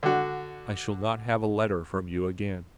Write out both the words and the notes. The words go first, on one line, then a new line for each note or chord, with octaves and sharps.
"I shall not have a letter from you again."
D3 F#4